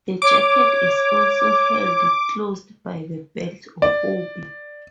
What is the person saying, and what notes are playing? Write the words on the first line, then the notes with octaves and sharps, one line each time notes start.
The jacket is also held closed by the belt or obi.
C#5 D6
D5